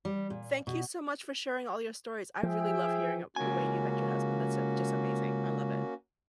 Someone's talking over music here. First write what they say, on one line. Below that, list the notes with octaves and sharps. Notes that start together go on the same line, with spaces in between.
thank you so much for sharing all your stories, I really love hearing, uh, the way you met your husband, that's, uh, just amazing, I love it.
G3
A#2
B2
F3 G#4 E5 G5
C#2 A#3 C#4 F#4 G#5